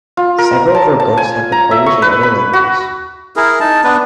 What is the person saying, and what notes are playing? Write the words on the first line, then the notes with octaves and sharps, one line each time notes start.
Several of her books have been published in other languages.
F4
A#4
A5
A5
G#5
A#5
E5
C#6
B4
B5
F#4
E4 G#4 A#4
D#4 A5
B3 D4 B4